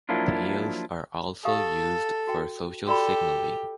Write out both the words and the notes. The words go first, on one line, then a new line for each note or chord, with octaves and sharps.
Tails are also used for social signaling.
F3 F#3 A#3 D4 E4 F4
G4 A4 F5 D#6
F#4 G5
F#4 G4 A4 D5 B5